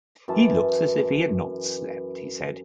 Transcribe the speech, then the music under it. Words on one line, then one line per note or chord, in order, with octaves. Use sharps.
"He looks as if he had not slept," he said.
F#2 E3 A5